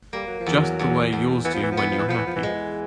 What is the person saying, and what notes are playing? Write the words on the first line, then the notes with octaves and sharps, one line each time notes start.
Just the way yours do when you're happy.
G3 A#3
F#3
F3
E2
F#3
E2
E2
E3 B3
F3
E3
F3
E3 B3
F3
E3
F3 B3
E3
F3
E3
F3 G#3
E3